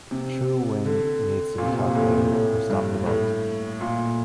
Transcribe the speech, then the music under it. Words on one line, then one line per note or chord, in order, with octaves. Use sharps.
True wind needs to be calculated or stop the boat.
C3
D3
A#2
C3
A#2
A#2
A2
A2
G2
A2
A#2